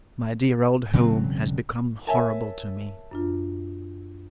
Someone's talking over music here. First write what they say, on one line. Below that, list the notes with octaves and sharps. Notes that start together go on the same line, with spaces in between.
My dear old home has become horrible to me.
E1 C#3 F#3 C4
A#4 C#5 E5 G#5 A5
F#2 D4 F4